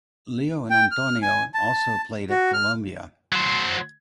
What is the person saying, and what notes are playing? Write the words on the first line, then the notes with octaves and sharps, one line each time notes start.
Leo and Antonio also played at Columbia.
G5
F6
G#5
A5
F#4
F6
F#3 C5